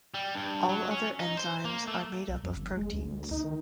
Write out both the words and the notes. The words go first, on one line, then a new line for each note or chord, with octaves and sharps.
All other enzymes are made up of proteins.
G3
G2
F#3
C#4
D#4
C5
A#3
A3
B1
F2
G1
G#3
D2
D2
D#4
D#3